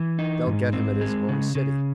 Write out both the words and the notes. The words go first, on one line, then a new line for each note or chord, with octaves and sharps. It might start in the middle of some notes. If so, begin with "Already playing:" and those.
"They'll get him at his home city."
Already playing: E3
D#4
G#2
C4
G#3
C#3
C#3